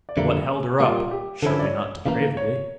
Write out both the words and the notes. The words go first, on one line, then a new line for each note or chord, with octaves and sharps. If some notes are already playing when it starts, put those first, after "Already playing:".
What held her up--surely not depravity?
D5
F2 D3 G3 A#3 E5
A#2 G3 A#3 F4
G4
D3 F3 C#4 E4 A4
D5
C#5
C#3 E3 G3 A#3 F5
C#5